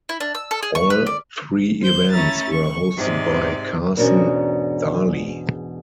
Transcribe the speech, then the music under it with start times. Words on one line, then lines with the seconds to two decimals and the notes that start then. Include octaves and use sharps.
All three events were hosted by Carson Daly.
0.09 E4
0.20 D4
0.35 E6
0.51 A4
0.63 G#4
0.75 C#6
0.90 B4
1.07 D5
1.81 C5 G6
2.11 A3 C#4 E4 A#5 A6
2.50 C#6
2.96 G#2 C3 D5
3.97 E2 G#2 B2 C#4 D4 A#4